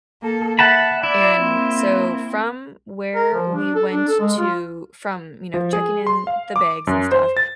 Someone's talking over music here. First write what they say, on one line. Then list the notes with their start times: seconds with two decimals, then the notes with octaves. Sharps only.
and so from where we went to from, you know, checking in the bags and stuff,
0.22 A#3 A4
0.59 E5 F#5 A5 B5
1.03 E4 D5
1.40 A#3 C4
3.15 A#4
3.34 F3
3.54 D4
3.75 A4
3.91 D4
4.08 A4
4.20 G#3
4.38 F4
5.54 F3
5.73 G#4
6.07 C6
6.27 F5
6.56 D6
6.87 F#2
7.12 C5
7.37 A6